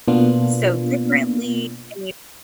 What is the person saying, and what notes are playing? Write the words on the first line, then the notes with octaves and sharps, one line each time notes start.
so differently," and you
B2 A#3 B3 D4 F4